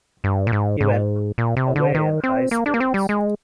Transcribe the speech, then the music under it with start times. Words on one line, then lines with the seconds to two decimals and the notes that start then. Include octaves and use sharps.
He went away in high spirits.
0.24 G2
0.47 A#2
0.52 G#2
0.81 G#2
1.38 A#2
1.57 C3
1.76 D3
1.94 D#3
2.24 C4
2.51 A#3
2.66 D4
2.74 A#3
2.80 C4
2.94 G3
3.09 G#3